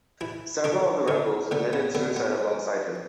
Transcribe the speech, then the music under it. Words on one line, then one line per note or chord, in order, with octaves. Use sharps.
Several of the rebels committed suicide alongside him.
E3 E4
D3 D4
D3 C#4
D3 B3
B3
D3 B3
B3